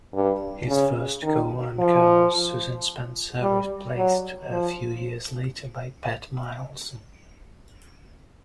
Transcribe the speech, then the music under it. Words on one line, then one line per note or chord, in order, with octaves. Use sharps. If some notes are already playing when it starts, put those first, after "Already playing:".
His first co-anchor was Susan Spencer, replaced a few years later by Pat Miles.
G2
C#3
D#3
F3
G3
F#3
F3